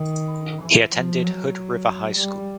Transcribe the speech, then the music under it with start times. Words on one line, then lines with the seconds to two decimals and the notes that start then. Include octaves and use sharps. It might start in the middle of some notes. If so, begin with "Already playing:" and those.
He attended Hood River High School.
Already playing: D#3
0.62 E3
0.93 F3
1.24 F#3
2.16 G3